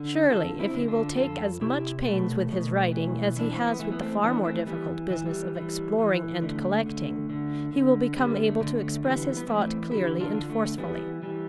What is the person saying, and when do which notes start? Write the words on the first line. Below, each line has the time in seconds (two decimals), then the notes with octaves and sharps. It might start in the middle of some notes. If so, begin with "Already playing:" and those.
Surely, if he will take as much pains with his writing as he has with the far more difficult business of exploring and collecting, he will become able to express his thought clearly and forcefully.
Already playing: D3
0.30 D3 F4 A4
0.59 C4 E4
0.74 D3
0.88 D4 F4
1.17 F2 F4 A4
1.61 C3 E4 G4
2.05 B2 A3
2.49 B2
2.92 E3
3.36 E3 D4
3.52 C4
3.66 B3
3.79 E3 A3
3.92 B3
4.02 A3 C4
4.24 E3 B3 D4
4.45 A3 C4
4.67 E3 G3 B3
5.10 E3
5.26 G3
5.55 E3
5.98 E3
6.41 D3 A3
6.86 D3
7.30 D3
7.73 D3
8.16 D3 G3 B3
8.46 A3
8.61 D3
8.75 A3
9.04 E3 G3 B3
9.37 B3
9.47 E3 A3 C4
9.91 D3 E4 G4
10.20 D4 F4
10.34 D3
10.49 A3
10.78 E3 G3 B3
11.22 E3 G3